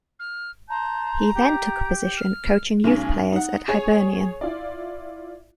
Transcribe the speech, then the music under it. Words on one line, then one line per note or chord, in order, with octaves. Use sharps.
He then took a position coaching youth players at Hibernian.
F6
A5 A#5 C6 G6
G4 G5 G6
F6
B1 G#3 C#4 D#4 G#5
D#4 F#5
G#4 C#5 G#5
E4 F4 D5